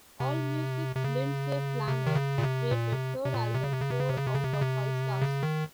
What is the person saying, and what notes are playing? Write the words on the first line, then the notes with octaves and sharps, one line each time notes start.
Allmusic's Lindsay Planer rated "Third Album" four out of five stars.
C3
C3
C#3
C3
D#3
C#3
A#2
C3
A#2
C3
C3
A#2
C3
C#3
C3
C#3
C3
C#3
C3
C#3
C3
C#3
C3
C#3
C3
C#3
D#3